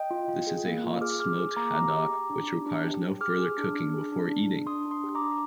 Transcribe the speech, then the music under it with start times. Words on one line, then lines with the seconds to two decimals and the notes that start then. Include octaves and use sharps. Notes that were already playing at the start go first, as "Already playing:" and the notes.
This is a hot-smoked haddock which requires no further cooking before eating.
Already playing: D#5 G5
0.11 F4
0.29 F4
0.47 G#4
0.65 A#3
0.84 F4
1.01 G#4 D6 F6
1.20 G#4 D6 F6
1.38 G#4
1.56 A#3 A#5 D6
1.75 G4 A#5 D6
1.93 G4
2.11 G4
2.30 D4
2.48 D4
2.66 D4
2.85 G4
3.02 G4
3.21 G#4 D6 F6
3.39 G#4
3.58 D4
3.75 D4
3.94 G#4
4.12 D4
4.30 D4
4.49 D4
4.67 D4 C6 D#6
4.85 D4
4.91 C6 D#6
5.04 G4
5.15 A#5 D6
5.22 D4